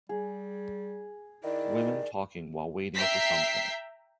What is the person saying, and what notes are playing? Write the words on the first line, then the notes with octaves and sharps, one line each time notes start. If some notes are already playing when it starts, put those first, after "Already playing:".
Women talking while waiting for something.
G3 G#4
D#3 E4 D5
E5 G5 A#5 E6 B6 C7